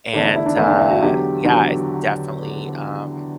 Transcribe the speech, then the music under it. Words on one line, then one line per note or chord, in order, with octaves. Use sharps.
and, uh, yeah, it's definitely, um,
E2 D3 A3 D4
E4
E4
D4
E2 D3 A3 E4
D4
E4
F#4
E2 D3 F#3 G4
E2 D3 F#3